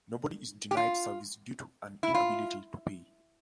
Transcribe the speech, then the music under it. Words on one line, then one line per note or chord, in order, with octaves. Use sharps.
Nobody is denied service due to an inability to pay.
G4
F4
E4
F4